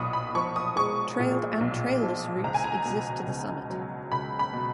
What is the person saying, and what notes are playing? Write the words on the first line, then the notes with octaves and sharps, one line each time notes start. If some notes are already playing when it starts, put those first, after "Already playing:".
Trailed and trailless routes exist to the summit.
Already playing: B1 A#2 B5 C#6 D#6
B5
F3 C#6
D#6
G#3 C#6
A#2
B1
F3
C#2 A#5
G#5
A#5
B2
C#2
F#3
C#2 B5
B5
B2